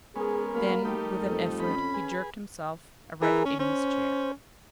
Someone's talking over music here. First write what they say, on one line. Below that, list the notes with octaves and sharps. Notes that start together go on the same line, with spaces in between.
Then, with an effort, he jerked himself erect in his chair.
G#3 B3 C#4 G#4 A#4
F#3 A#3 F5 B5
G3 A3 D#4 G4 A#4
F2 A4
C#4 B5
G#4 B4
E3 G#4 A#4
C#4
C#4 C5